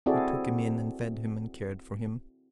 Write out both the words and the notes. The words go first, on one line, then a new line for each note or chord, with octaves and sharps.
We took him in and fed him and cared for him.
C4 E4 F#4 G#4 A4 D5